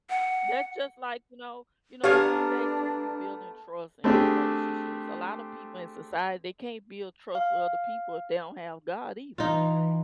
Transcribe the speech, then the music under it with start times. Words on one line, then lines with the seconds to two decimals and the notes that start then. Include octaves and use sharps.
that's just like, you know you know, going back to rebuilding trust in relationships. A lotta people in society, they can't build trust with other people if they don't have God either,
0.10 F#5
2.04 A3 B3 D4 G4 A4 A#4 C#5 F5
4.04 A3 C4 D4 G4 G#4
7.35 F5
9.38 E3 D#4 F4